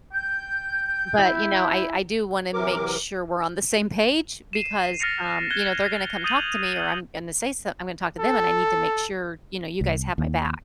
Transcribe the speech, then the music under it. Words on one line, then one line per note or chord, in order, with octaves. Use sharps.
But, you know, I I do wanna make sure we're on the same page because, um, you know, they're gonna come talk to me or I'm gonna say so I'm gonna talk to them and I need to make sure, you know, you guys have my back."
G5 G6
E4
C3 E3 F#3 A#4 D6
C7 D#7 E7
F6 A6 A#6 C7 C#7 F7
F#6 G#6 G7
D#6 G6 A6 D#7 F7 F#7
A4
C2
D#2